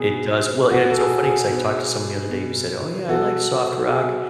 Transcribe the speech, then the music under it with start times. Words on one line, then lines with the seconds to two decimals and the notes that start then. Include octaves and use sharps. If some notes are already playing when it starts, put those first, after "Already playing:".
It does. Well, it it's so funny 'cause I talked to someone the other day who said, "Oh, yeah. I like soft rock",
Already playing: B2 G#4
0.71 B2 F#4
0.90 A4
0.97 G#4
1.24 G#4
1.50 B2
2.29 B2
3.08 B2 F#4 A4
3.79 F#4
3.88 B2 G#4